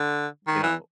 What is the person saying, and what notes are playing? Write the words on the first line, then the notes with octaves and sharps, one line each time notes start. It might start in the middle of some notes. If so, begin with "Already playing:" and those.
you know,
Already playing: D3
D#3
E3